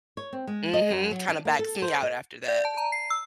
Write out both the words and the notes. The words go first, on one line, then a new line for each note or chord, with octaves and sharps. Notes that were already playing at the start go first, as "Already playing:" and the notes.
Mhm. Kinda backs me out after that,
C#5
C4
G#3
D#5
F#2
F#3
D4
A#3
A4
C5
D#5
D5
A5
A#5
C7
E6